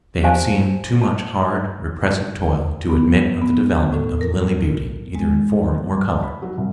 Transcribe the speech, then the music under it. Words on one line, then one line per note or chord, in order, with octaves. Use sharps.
They have seen too much hard, repressive toil to admit of the development of lily beauty either in form or color.
G4 C5 F5 G#5 A5
A5
B3
B3
A2
A#4
G#3
G2
A5
B5
F#3
C2